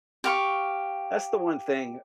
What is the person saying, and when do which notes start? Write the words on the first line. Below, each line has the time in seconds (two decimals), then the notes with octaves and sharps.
that's the one thing
0.24 G4 F5 C#6